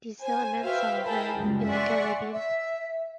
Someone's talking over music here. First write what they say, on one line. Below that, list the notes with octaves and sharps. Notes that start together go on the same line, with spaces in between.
These elements are rare in the Caribbean.
C5 G#5
F#4 B4 C5 E5 F5 G5
E4 G#4 A#4 G5 A5 B5
C#2 F#2 G3
D5 E5 F#5 G#5 C6 C#6
E5